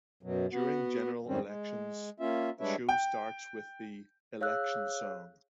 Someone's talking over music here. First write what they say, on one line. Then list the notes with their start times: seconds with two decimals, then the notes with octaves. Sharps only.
During general elections, the show starts with the 'election song'.
0.23 F#2 B2 F#3
0.52 B3 F#4
1.27 F2 G#2 D#3 G3 C4 C#4
1.45 G#3
2.20 A#3 C#4 F4 E5
2.60 G3 G#3 D4 B4 C#5 E5
2.89 G5
4.41 G#4 C#5 F5 E6 F#6